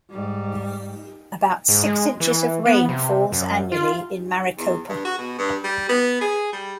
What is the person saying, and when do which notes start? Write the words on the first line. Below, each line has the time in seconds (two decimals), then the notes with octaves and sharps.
About six inches of rain falls annually in Maricopa.
0.10 G#2 G3
1.68 G#2
1.84 G#3
2.20 E3
2.66 B3
2.89 C3
3.32 F#2
3.72 F4
4.58 E2
4.89 G2
5.05 F#4
5.18 B2
5.38 G2
5.64 G3
5.89 B3
6.21 G#4
6.53 G3